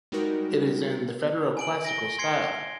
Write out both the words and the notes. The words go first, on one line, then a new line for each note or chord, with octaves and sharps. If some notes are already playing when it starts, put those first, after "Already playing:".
It is in the Federal Classical style.
G3 G#3 D#4 F#4 A#4
G#5 D7 F#7
A#6 D7 G7
C6 G#6 C7 C#7 G7